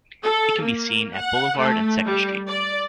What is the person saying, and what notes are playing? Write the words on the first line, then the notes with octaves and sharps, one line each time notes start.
It can be seen at Boulevard and Second Street.
A4
A#3
F#5
A3
G3
D5